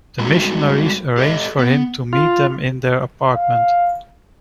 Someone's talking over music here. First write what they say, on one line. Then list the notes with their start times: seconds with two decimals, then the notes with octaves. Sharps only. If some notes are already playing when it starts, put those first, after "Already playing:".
The missionaries arrange for him to meet them in their apartment.
0.19 G3 G#3 C4 D#4 F#4 A4
1.17 G4 A4 D#5
1.59 B3
2.13 F4
3.34 F5